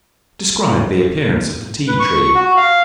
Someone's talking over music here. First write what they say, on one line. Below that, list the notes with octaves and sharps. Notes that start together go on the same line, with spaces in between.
Describe the appearance of the Tea-tree.
B4
C#6
F#4
F5